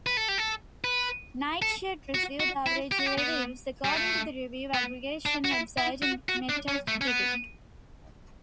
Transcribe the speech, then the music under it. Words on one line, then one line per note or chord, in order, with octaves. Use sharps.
"Nightshade" received "average" reviews according to the review aggregation website Metacritic.
B4
A4
G4
A4
B4
A4
F#4
F#4
E4
G4
F#4
G4
B3
G3
A3
B3
D4
F#4
E4
E4
F#4
F#4
D4
C#4
A3
C#4
B3